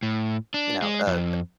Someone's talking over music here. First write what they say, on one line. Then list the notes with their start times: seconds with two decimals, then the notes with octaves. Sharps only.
you know, a
0.03 A2
0.54 D4
0.82 G#3
1.07 F2